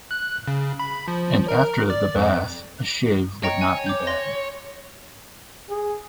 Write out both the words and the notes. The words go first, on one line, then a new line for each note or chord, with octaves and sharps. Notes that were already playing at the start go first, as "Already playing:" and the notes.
And after the bath a shave would not be bad.
F#6
C#3
B5
F3
A#4
D5
F2
C#5 D#5 G5 A#5
G#5
D6 G6
C6 A#6
G#4